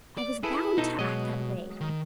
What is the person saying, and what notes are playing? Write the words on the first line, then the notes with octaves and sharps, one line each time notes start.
I was bound to act that way....
D5
E4 G#4 A4 B4
B2 D#4 A4
B2 F#3 G#3 D#5
D#3